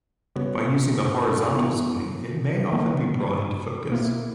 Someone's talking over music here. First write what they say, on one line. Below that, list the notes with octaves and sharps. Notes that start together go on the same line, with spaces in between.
By using the horizontal swing, it may often be brought into focus.
C#3 G3 B3 F#4 C#5
E3 B3 E4
D3 F#3 A#3
B2 A#3 E4